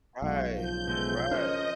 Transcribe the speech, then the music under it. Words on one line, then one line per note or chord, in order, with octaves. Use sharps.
Right, right.
B1 G#3 F#4 F5
C#2 F3 G6
B2 G#3 A3
C#4 D4 A#4 C5 C#5 D#5